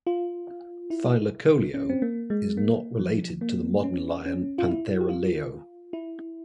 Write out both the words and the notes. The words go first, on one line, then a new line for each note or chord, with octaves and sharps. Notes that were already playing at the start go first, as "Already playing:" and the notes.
"Thylacoleo" is not related to the modern lion "Panthera leo".
F4
E4
C#4
C4
A#3
G#3
A#3
F3
A#3
C#4
C#4
F4
E4
G4
F4
E4